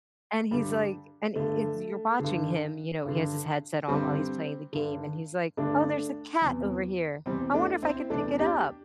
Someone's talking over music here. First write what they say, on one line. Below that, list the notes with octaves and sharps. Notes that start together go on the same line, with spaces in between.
and he's, like, and it's you're watching him, you know, he has his headset on while he's playing the game, and he's like, "Oh, there's a cat over here. I wonder if I could pick it up,"
G2 D3 G3
G2 D3 A3
G2 D3
G2 D3
G2 D3 G3 C4
G2 D3
G2 D3 A3 D4
E2 C3 E3
E2 C3 E3 G3 C4
A3 D4
C4 E4
E2 C3 E3 A3 D4
D4 G4